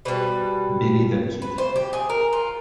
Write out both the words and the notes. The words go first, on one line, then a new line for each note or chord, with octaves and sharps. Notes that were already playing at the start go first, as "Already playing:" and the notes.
Billy the Kid.
B2 G3 B4
B4
C5
G4
G#4
A#4
F4